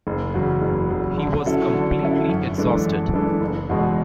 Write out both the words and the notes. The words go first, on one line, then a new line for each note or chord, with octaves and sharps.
He was completely exhausted.
F#1
E2 C#3 F#3
F#1
E2 C#3 F#3
D3
F#3 C#4 E4 A4
D3
F#3 C#4 E4 A4
F#2
E3 G#3 D4 A4
F#2
E3 G#3 D4 A4
F#1
E2 B2 G#3